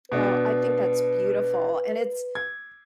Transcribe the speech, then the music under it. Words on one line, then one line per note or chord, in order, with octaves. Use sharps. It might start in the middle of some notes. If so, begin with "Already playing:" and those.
Oh, I think that's beautiful, and it's
B2 D4 B4
G#6